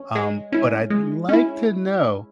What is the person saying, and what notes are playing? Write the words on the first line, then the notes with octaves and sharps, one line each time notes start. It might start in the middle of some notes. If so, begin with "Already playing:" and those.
um, but I'd like to know
Already playing: C#4
G#3
C#4 E4
G#3
C#4 E4